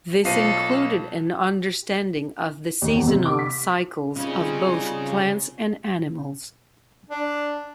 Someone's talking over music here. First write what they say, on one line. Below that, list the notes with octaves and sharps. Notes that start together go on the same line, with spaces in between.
This included an understanding of the seasonal cycles of both plants and animals.
B1 F4 A4 C5 C7 D#7
D#2
E2
C3
D6
B6
C#3 G3 C4 C#4 D#4 F4
D4